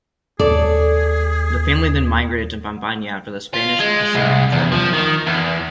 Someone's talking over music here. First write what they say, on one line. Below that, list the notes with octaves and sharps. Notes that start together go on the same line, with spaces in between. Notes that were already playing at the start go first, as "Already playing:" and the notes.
The family then migrated to Pampanga after the Spanish assumed control of Manila.
D#2 G#4 A4 D5
F4
G#3
C2
E2
F3
D#3
E2